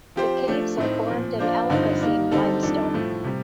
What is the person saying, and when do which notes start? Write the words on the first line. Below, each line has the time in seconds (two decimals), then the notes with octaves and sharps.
The caves are formed in Oligocene limestone.
0.16 F3 C4 G4 C5
0.47 F3 A3 D4
0.78 A2 A3 C4 D#4
1.08 A#2 F3 C4
1.39 F3 A#3 D4 F4 C5
1.70 G2 D3 F3 C4 D#4
2.01 D#3 A#3 D#4
2.31 D3 G3 C4 D#4 A4
2.63 F2 D#3 G3 D4 A4
2.94 A2 F3 A3
3.24 C3 G3